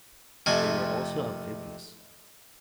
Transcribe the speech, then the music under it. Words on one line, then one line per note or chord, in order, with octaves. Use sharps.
They were also amphibious.
F2 C3 F3 A3 G#5